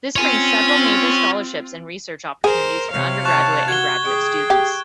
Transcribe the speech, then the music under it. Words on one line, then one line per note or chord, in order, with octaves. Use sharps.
This brings several major scholarships and research opportunities for undergraduate and graduate students.
C4 F4 C#5 G#5
G#4 A#4 C5
C3 C#5 F5
C#5 A5 C#6 F#6
F#4 G#6 G7
G#4 G5
G4